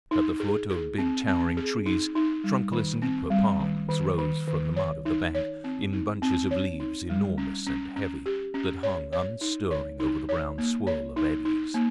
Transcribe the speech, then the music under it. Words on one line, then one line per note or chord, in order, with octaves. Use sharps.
At the foot of big, towering trees, trunkless nipa palms rose from the mud of the bank, in bunches of leaves enormous and heavy, that hung unstirring over the brown swirl of eddies.
D#4
G#4
G#4
C4
C4
G#4
D#4
D#4
G3
D#3
C4
G3
D#3
D#3
D#3
D#3
C#5
D#4
C#5
C4
D#4
C4
C#5
D#4
G3
C#4
C#4
C#4
G4
C#4
C#5
C#5
D#4
C#5
D#4
C#5
A#3
C#5
D#4
D#4
A#3